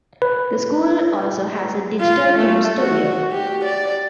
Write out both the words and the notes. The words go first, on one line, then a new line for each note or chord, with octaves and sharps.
The school also has a digital film studio.
B4
F4
A3
F#4
G4
D5